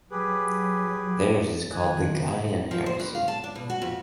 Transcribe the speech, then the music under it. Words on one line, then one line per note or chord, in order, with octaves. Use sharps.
Theirs is called the Gaian heresy.
F#3 G4 G#4 B4
D#3 G#5 F#6
F3
C5
G2
F5
A5
D4
B2
F#4
F2